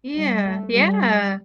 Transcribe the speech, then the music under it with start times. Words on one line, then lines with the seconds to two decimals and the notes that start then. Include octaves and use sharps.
Yeah. Yeah,
0.15 G3
0.44 A3
0.73 G3